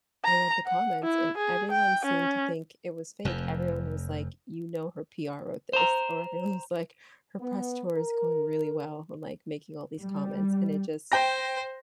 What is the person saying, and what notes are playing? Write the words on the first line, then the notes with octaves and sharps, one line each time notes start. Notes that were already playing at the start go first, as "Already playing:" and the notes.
I read the comments and everyone seemed to think it was fake. Everyone was, like, "You know her PR wrote this." Or, everyone was, like, "Her press tour is going really well," and, like, making all these comments, and it just
A#5
F#5
E4
G#4
G5
C#4
F1 F2
C5 A#5
B3
A#4
G3
C5 G5 A#6